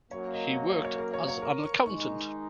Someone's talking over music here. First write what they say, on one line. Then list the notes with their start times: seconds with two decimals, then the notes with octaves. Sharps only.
He worked as an accountant.
0.11 F#2 F#3 A#3 C#5
0.33 D#5
0.55 C#5
0.70 C#5
0.85 C#5
0.99 A#4
1.14 C#5
1.28 C#5
1.42 A#4
1.63 C#6
1.86 D#3 G#3 D#4 C#6